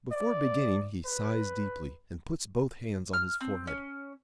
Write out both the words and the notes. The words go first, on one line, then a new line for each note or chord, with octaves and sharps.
Before beginning, he sighs deeply and puts both hands on his forehead.
D5
B4
F6
C4
C#4